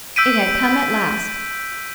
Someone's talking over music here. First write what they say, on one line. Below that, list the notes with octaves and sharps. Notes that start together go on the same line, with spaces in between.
It had come at last.
E6 G6 B6 D7 D#7